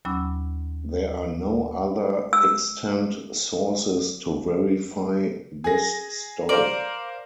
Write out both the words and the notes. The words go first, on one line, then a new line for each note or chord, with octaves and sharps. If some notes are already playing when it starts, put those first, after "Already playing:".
There are no other extant sources to verify this story.
D#2 F#3 C#4 B5 D6 E6
E6
G#4 A#6
A#4 C5 D5 F5